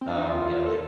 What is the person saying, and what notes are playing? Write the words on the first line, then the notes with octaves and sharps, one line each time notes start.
um, you know, like
C4
D4
D#4
F4
A4